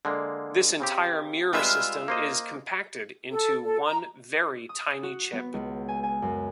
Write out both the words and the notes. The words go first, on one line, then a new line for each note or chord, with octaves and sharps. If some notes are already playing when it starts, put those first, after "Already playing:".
This entire mirror system is compacted into one very tiny chip.
D3 G#3 A#3
C#3 C4 G4
G3 G#3 F4 B4 E5
A#3 C5 D#5
A4
A4
A#5
D#6
F#4
B3
C#2
G#5
G#5
F#2